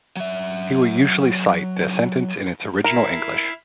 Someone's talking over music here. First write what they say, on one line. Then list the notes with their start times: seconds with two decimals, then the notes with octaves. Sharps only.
He will usually cite the sentence in its original English.
0.16 F#3 E5
2.84 E4 A#4 E5 F5